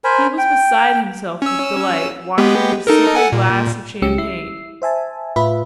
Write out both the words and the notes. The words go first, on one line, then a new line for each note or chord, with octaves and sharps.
He was beside himself with delight, watching her sip her glass of champagne.
A#4 C5 G#5 B5
G5
C#4 E6
G#3 B3 G4
D#4 A4 A#4
A4 F#5 G#5
A#2
C#2 G#3 C#4 G4 E6 C#7
E4 E6 C7
C5 E5 G#5 A5
A2 F4 B4 E5 B5